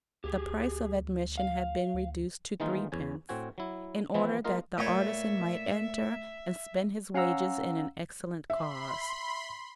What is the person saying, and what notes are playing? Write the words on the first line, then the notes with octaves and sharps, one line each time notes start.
The price of admission had been reduced to threepence, in order that the artisan might enter and spend his wages in an excellent cause.
D2 G4 G#4
F5
D2
D#3 E3 G#3 A#3 D#4 F4
E2 C#4 G#5
A2 C4 F#4 G#5
F#3 E4
E3 F3 B3 C4 E4
G#3 A#3 F4 A#4 D#5 F5
A#2 A3 C#5 E5
C#4 F5 F#5 A#5 E6
E5 B5 C6